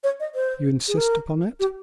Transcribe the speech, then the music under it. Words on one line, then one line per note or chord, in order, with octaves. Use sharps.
"You insist upon it?"
C#5
D#5
C5
G#4
A#4
G4